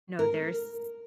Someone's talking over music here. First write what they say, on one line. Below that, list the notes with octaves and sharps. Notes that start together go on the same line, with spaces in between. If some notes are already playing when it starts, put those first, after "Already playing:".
No. There's
A#4